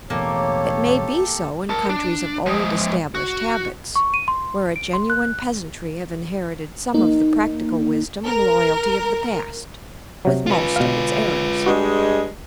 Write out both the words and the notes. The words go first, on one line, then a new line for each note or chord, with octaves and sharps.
It may be so in countries of old-established habits, where a genuine peasantry have inherited some of the practical wisdom and loyalty of the past, with most of its errors.
E1 A1 A#3 G4 A4 C#5
A#4 A5
D4
F3 G#3
F#4
C#6
D#7
C6
D7
C6
F#6
A#3 D#4
A#4
C3 F#3
F4 B4
B2 F5
G2 G#3 F#4